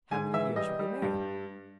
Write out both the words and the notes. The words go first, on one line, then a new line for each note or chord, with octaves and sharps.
"How many years were they married?"
G#2 G#5
E3 E5
G3 D#5
G3
G2